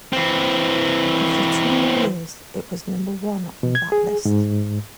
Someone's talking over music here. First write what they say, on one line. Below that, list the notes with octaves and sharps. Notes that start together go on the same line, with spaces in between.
After two more years, it was number one on that list.
E3 C4
B2
G#6
G#4
G#2